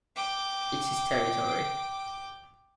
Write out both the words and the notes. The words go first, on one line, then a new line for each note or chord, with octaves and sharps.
It's his territory.
G5 D6